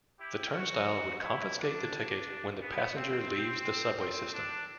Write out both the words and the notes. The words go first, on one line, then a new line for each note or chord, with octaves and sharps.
The turnstile would confiscate the ticket when the passenger leaves the subway system.
E4 G4
F#4
E4
D4
B3
C4
C4
C4
D4